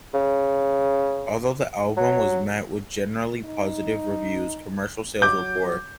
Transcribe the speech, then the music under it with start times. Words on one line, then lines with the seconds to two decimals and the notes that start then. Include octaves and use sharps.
Although the album was met with generally positive reviews, commercial sales were poor.
0.14 C#3
1.97 F#3
3.46 D#4
5.22 F#3 D6 G6